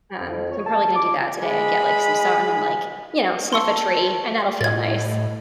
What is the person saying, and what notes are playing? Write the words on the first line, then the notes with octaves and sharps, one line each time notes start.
Um, I'm probably gonna do that today and get like some sun and like, you know, sniff a tree and that'll feel nice.
F2
C#5
A5
D6
G#3 B5
A5 C6 C#6 E6
A2 D#5 G#6 A6